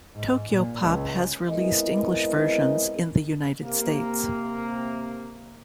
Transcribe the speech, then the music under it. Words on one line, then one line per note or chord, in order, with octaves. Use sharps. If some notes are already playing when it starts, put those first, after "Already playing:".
Tokyopop has released English versions in the United States.
G#2
A#2
C#2
G#3 B3 C4 E4 A#4 D#5
C3 A#3